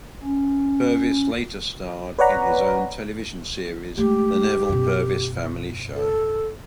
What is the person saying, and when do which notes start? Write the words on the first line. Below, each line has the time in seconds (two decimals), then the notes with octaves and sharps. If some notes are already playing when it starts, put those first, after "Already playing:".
Purvis later starred in his own television series, The Neville Purvis Family Show.
0.23 C#4
2.19 B4 C#5 D5 F#5 A#5 B5
3.98 G#3 A3 G4
4.69 F#2 B2
5.95 A4